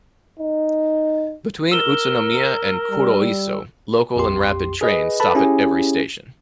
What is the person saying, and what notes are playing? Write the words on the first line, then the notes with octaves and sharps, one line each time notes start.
Between Utsunomiya and Kuroiso, local and rapid trains stop at every station.
D#4
A#4 E6 E7 G7
G3
A#1 F2 G4 C6
G#4 B4 D#5
A4 B4 A5 B5
C#4 E4 G4 G#4 G#5